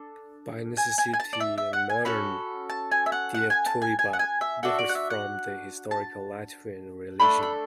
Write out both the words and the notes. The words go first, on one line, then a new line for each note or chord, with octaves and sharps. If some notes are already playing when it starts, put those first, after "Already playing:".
By necessity, modern Dievturība differs from the historical Latvian religion.
Already playing: D4 A4
G#5
G#5
G#5
A5
D5
E5
E5
F#5
G#5
C#4 F#4 A4 B5
A5
G#5
E5
F#5
F#5
G#5
A5
G#5
G#5
F#5
G#5
E5
D4 F#4 A4 E5
D5
F#5
E5
F#5
A5
A3 D4 A4 B5
B5